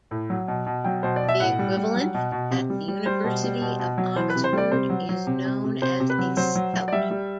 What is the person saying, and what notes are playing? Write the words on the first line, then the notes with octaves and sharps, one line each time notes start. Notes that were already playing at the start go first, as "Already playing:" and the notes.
The equivalent at the University of Oxford is known as a "scout".
A2
F#3
B2
B2
F#3 G5
B2 C5
D5
B2
E5
A2 F#5
G3
G3
F#3
B2
B2
C3
G3
G3
G3 C5
B2
G3
B2
B2
F#3
E3 C5
B4
C3
C5
G3 D5
C3 C5
F#3
F#3
C3
C3
C3
C3 C5
C3
B4
F#3
F#3 C5
F#3
F#3
D5
G3 E5
G3